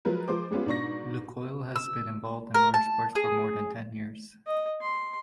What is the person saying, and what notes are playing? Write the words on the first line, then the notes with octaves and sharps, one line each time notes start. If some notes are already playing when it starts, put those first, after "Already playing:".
Lukoil has been involved in motorsports for more than ten years.
F3 F#3 G#3 A#4 B4
F3 G#3 C5 D6
G3 G#3 B3 C#4 F4
G#2 B2 D4 C#6 A#6
E6
A#4
A5
G#4
D#5
C6